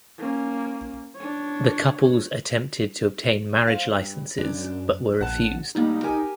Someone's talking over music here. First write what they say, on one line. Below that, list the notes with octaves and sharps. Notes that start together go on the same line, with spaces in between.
The couples attempted to obtain marriage licenses but were refused.
A#3 C#4
D4 C#5
C5 F5
G2
F#2 D4
A#1 F#5 A5
A2 G3 A#3 D#4
G4 A#4 G#5